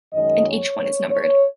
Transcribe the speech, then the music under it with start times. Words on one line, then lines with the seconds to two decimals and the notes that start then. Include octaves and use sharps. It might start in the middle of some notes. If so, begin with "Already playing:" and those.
And each one is numbered.
0.13 F#2 D#3 G#3 D#5
0.46 C#5
1.11 C#5